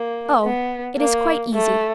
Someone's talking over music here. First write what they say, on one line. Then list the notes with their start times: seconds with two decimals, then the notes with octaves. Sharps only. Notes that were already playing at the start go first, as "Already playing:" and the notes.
'Oh, it is quite easy.
Already playing: A#3
0.44 B3
0.99 A#3
1.54 A3